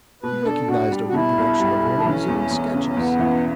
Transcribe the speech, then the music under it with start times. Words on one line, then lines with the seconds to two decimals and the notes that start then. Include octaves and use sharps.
He recognised a reproduction of one of his own sketches.
0.23 B2 B4
0.45 D4 A4
0.68 D4 F#4
0.92 G3
1.09 F#4
1.14 B2 E4
1.37 B1
1.60 G3
1.83 B1
1.97 D4
2.05 E3 C#4
2.28 E2
2.51 E2
2.74 C#3
2.86 C#4
2.97 E2 B3
3.19 E3